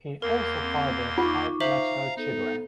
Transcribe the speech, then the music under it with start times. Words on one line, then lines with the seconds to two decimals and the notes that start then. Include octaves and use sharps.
He also fathered five natural children.
0.22 E2 A#3 A#4 C6
0.63 C4
1.18 D#4 F4 C#6 D6
1.60 C5 E5 F5 A#5 F#7
2.17 B3 D#4 A4